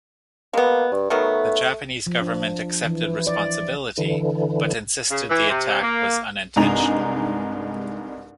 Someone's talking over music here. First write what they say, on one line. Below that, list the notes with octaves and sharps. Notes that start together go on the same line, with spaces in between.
The Japanese government accepted responsibility, but insisted the attack was unintentional.
G#3 A#3 B3
G2
D#3 F#3 A3 B3
F3
D4
E3
D5
D3 E3
C#3
E3
C3
A#3
C2 G2 G#3 D#4 A#5 F7